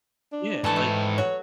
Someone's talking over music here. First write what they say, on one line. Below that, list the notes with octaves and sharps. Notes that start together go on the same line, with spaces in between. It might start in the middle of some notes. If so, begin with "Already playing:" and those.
Yeah, like
D4
G#2 E3 A3 A4 A5
A3
F#3 F#4 C#5